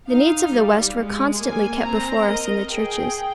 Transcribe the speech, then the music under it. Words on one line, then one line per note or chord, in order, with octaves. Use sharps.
The needs of the West were constantly kept before us in the churches.
D#4 F5
G3
G#3
A#3 G#5
C4 A#5
A#4 D#5
G#4 G5